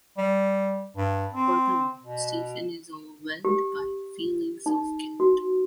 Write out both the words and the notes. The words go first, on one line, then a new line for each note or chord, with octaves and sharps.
Furthermore, Stephen is overwhelmed by feelings of guilt.
G3
G2
C4
B2
G4
D#4
F#4